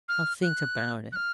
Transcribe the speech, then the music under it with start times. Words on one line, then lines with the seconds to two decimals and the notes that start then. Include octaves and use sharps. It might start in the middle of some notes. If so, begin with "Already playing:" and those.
"I'll think about it."
0.09 F6
0.43 F#6
1.12 F#6
1.16 F6